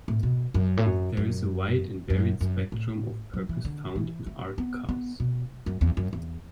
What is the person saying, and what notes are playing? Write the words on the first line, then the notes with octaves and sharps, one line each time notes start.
There is a wide and varied spectrum of purpose found in art cars.
A2
B2
F#2
A2
F#2
F#2
F#2
F#2
A2
F#3
E3
D3
E3
A3
B3
B3
B2
F#2
E2
F#2
E2